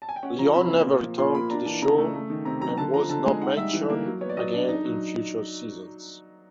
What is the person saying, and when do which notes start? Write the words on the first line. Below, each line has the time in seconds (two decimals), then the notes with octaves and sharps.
Leon never returned to the show and was not mentioned again in future seasons.
0.02 A5
0.09 G#5
0.16 G5
0.23 C#4 F#5
0.39 F3 A#5
0.55 C3 B5
0.71 A#3
0.87 A#2
1.03 F3
1.18 A#2 C6
1.34 A#3 B5
1.50 D4 A#5
1.66 E3 A5
1.82 C#3 A#5
1.98 A3
2.14 A3
2.30 D#3
2.45 C3 A#5
2.62 F#3 A#5
2.78 D3 A5
2.94 F3 A#5
3.09 D3 A5
3.26 G#3 G#5
3.42 D#4 F#5
3.57 G3 E5
3.73 E3
3.90 A#3
4.06 F#3
4.21 B3 C#5
4.29 D5
4.37 F#3 D#5
4.54 D4
4.69 D#4
4.85 F#3